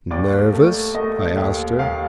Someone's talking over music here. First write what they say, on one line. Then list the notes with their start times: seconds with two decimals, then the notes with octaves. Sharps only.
"Nervous?" I asked her.
0.11 D#2 D5
0.53 A3
0.95 A3 D#5
1.37 D#2
1.79 D#2 F5